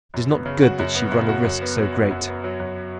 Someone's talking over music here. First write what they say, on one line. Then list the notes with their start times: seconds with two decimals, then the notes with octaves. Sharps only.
It is not good that she run a risk so great.
0.14 F#2
0.30 B3
0.46 C#3
0.62 F#4
0.79 F#2
0.95 B3
1.12 C#3
1.29 F#4
1.45 F#2
1.61 B3
1.78 F#3
1.95 F#2
2.11 F#2
2.28 B3
2.44 F#3
2.60 F#2